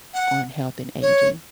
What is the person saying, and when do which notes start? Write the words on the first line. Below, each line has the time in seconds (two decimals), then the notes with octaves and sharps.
on health and aging
0.13 F#5
1.01 C#5